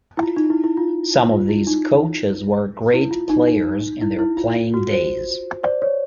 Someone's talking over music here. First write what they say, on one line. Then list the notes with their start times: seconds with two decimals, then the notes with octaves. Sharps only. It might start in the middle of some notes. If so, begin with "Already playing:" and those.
Some of these coaches were great players in their playing days.
0.17 E4
0.23 F4
0.36 D#4
0.50 E4
0.64 E4
0.77 F4
1.31 F4
1.49 E4
1.67 D#4
2.94 E4
3.11 F4
3.29 D#4
3.47 D#4
4.01 E4
4.19 E4
4.37 F4
4.55 F4
4.74 F#4
4.91 C5
5.63 C5 D5
5.82 C#5